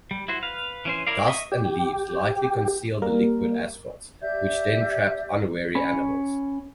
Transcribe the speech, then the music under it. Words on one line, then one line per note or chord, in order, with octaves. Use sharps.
Dust and leaves likely concealed the liquid asphalt, which then trapped unwary animals.
G3
E4 F#4 C5
B4 F5
E3 C#4 C5
E4 A#4 D5 F5
D#5 E5 C#6 D#6
G4
G3 A#3 A#4
G4 D5 E5 G6
C#4 B5